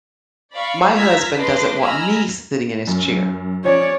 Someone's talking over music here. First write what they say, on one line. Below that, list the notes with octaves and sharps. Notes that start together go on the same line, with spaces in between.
my husband doesn't want me sitting in his chair,
D5 F5 B5 C#6
F4 A#5 E6 F6 G#6 B6
D4 B4 D#5 C6 D6
D#5 G#5 A#5 B5 E6 F6
F#2
F3 C#4 C#5 D5 G#6